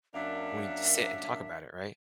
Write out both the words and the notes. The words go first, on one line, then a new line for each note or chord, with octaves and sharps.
we need to sit and talk about it. Right?
F#2 A#3 D4 E5